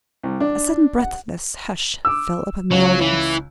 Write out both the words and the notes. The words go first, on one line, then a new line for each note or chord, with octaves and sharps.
A sudden breathless hush fell upon the audience.
C2
D4
F#5
D6 E6
C#2 F#3 C#5
E3